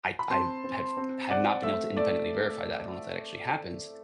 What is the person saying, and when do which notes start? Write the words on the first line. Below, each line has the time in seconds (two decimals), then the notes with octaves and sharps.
I I have have not been able to independently verify that, I don't know if that actually happens.
0.19 B5
0.30 C4 A5 C6
0.64 C4
0.97 C4
1.30 C4 D5 F#5
1.63 A3 E5
1.96 A3 D5